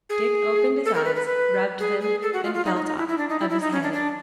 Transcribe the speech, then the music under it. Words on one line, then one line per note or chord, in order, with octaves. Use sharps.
Dick opened his eyes, rubbed them, and felt of his head.
G#4
A4
A#4
B4
B4
B4
G#4
G#4
A4
F#4
F4
F4
D#4
D#4
D#4
E4
E4
D4
D#4
E4
E4
D#4
C#4
D4
D4